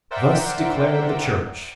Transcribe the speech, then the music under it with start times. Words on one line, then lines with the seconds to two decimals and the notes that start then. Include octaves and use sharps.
Thus declared the Church.
0.11 A#4 C5 D5 E5 F#5 G5